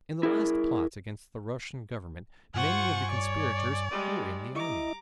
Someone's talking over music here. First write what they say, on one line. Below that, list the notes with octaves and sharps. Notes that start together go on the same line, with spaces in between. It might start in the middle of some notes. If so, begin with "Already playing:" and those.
In the last plots against the Russian Government many of the conspirators were in the army.
E4 G#4 A#4
G2 F4 C5 F#5 G#5 C#6
C#5 D5
G3 G#3
E4 D#5 A#5 D6